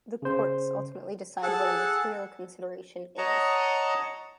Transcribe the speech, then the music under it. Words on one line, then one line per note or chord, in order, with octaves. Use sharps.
The courts ultimately decide what a material consideration is.
C#3 C5
G#4 A4 F#5 A5
C#5 D#5 F#5 A5 A#5